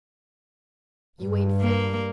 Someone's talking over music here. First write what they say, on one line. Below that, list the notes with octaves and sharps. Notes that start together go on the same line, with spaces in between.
"You ain't fit."
G2
A#3